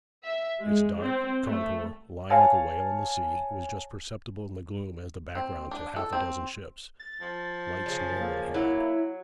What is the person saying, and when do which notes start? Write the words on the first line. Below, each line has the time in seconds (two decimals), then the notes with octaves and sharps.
Its dark contour, lying like a whale on the sea, was just perceptible in the gloom as the background to half-a-dozen ships' lights nearer at hand.
0.24 E5
0.59 G#3
0.99 C4
1.43 A3
2.30 C#5 F5 G#5 A5
5.35 C4
5.71 D4
5.96 A4
6.13 C4
6.99 A6
7.21 F3
7.86 C#3
8.19 A#3
8.54 F#3 E4